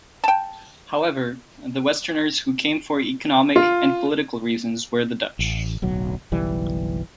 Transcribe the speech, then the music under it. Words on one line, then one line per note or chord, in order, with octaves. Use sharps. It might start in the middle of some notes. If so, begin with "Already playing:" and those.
However, the westerners who came for economic and political reasons were the Dutch.
G5 A5
F4
A1
D1 B1 F#3
F#1 B1 E3 G3